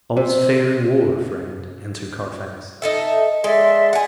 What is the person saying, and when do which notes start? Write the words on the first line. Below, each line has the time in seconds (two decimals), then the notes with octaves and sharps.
"All's fair in war, friend," answered Carfax.
0.17 C3
2.82 D#4 A4 E5
3.44 G#3 D5 E5 C6
3.93 F#5 G#5